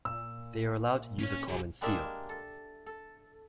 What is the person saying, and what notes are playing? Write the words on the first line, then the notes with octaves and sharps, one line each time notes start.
They are allowed to use a common seal.
A#2 E6
C#4 C#5
F#4 G#4
G3 G#3 A#3 D4 A#4 E5
A4
A4